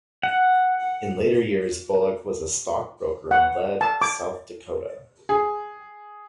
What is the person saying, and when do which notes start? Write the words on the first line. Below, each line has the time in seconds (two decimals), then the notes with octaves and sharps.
In later years Bullock was a stockbroker in Lead, South Dakota.
0.23 F#5
3.31 F#5
3.81 A5
4.02 D6
5.29 G#4